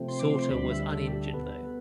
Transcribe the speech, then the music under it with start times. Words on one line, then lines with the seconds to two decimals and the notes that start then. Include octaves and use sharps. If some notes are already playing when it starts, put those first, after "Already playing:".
Sauter was uninjured, though.
Already playing: C3 F3 A3 C4
0.08 C6
0.19 D6
0.30 C6
0.42 C6
0.50 D2 D3 G3 B5
0.71 E5
0.92 A4
1.07 G4
1.12 A4
1.33 B2 B3 B4